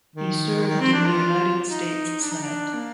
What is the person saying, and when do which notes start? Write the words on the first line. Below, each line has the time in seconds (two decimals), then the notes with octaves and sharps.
He served in the United States Senate.
0.16 D#3
0.67 D#3
0.80 C4
0.93 D4
1.06 F4
1.70 D#4
2.21 D4
2.32 D#4
2.43 D4
2.74 A#3